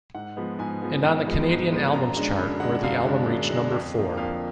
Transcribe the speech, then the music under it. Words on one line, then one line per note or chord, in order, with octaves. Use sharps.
And on the Canadian Albums Chart, where the album reached number-four.
G#2 F#5
F3 G#3 B3
G#2 G#5
F3 G#3 B3
G#2
F3 G#3 B3
G#2
F3 G#3 B3
F#2 A#5
D3 G#3 D4
F#2 B5
D3 G#3 D4 F#5
F#2 F5
D3 G#3 D4
F#2
D3 G#3 D4
F2
F3 A#3 D4
F2 F5